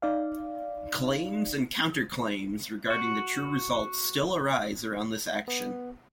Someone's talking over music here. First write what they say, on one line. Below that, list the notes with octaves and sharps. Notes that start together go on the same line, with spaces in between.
Claims and counter-claims regarding the true results still arise around this action.
D#4 D5 F5
F#4
B3